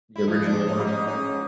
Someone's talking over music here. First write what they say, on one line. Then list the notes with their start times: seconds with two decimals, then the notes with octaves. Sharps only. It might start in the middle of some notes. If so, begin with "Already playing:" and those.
The original, one of the original.
0.16 E4
0.27 F3 D#4
0.47 D4
0.53 G#3
0.67 D#4
0.80 G#2
0.87 D#4
1.07 C#4 D#4